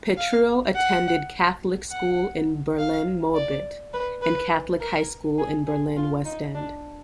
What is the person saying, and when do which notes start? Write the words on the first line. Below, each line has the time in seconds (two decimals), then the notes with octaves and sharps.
Petruo attended catholic school in Berlin-Moabit, and catholic high school in Berlin-Westend.
0.17 F5
0.75 F#5
1.90 F#5
2.78 F5
3.35 D5
3.93 B4
4.22 B4
4.80 A#4
5.38 G#4
5.67 G#4
5.96 F4
6.25 D#4
6.54 D4